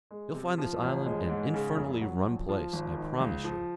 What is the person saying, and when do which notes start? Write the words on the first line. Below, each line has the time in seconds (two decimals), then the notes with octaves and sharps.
You'll find this island an infernally rum place, I promise you.
0.11 G#3
0.35 C3
0.58 F3
0.82 A1
1.06 G#3
1.29 G#2
1.54 C#3
1.77 F1
2.01 F#3
2.25 A#1
2.49 F3
2.73 G#1
2.97 D#3
3.20 C#2
3.44 F3